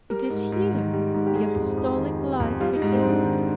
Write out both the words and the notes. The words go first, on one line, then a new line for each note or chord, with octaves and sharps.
It is here that the apostolic life begins.
G3 A#4
G#2
G#2
D#3
G3
G#2
G4
G3 G#4
F2
F2
D#3
G3
F2
G3 F4
D#4
G#2
C4
G#2 D4
D#3